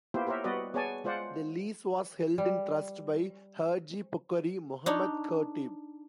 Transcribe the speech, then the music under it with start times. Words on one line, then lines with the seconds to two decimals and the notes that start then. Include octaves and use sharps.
The lease was held in trust by Hadjee Puckery Mohamed Khatib.
0.14 A#3 B3 E4 F4 G4 C5
0.27 G4 A#4 C5 C#5 E5
0.44 G3 B3 F#4 B4 D5 D#5
0.74 B3 G#4 C#5 D5 G#5 A5
1.04 G#3 F4 C5 D5 F#5
2.38 G3
4.86 D4 D#4 C#5